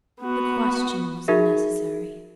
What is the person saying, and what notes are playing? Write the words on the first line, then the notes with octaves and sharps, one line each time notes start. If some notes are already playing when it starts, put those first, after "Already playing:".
The question was unnecessary.
B3 F#4
D#4 F#4 G#4 A#4 E5